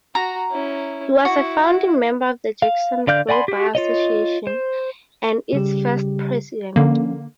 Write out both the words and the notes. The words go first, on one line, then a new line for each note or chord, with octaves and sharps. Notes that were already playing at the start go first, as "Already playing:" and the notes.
He was a founding member of the Jacksonville Bar Association and its first president.
F#4 A#5
C#4 E4
E4 F#4
F5
D3 D5 F5 F6 G6
D5 F#5 G#5 B5 C6
F#4 G4
F4 C#5 D#5
C5
C#3 G3 G4
D3 F3 A#3 C#4